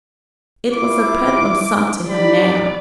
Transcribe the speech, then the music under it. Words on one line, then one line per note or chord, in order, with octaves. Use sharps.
It was a peddling sum to him now.
E4 F4 D6
D#4 G4 D5 B5